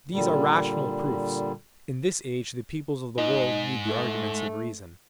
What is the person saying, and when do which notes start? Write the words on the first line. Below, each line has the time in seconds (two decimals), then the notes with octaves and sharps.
These are rational proofs; in this age the peoples of the world need the arguments of reason.
0.11 A#2 D3 G3
3.18 G#2 D#4
3.88 A3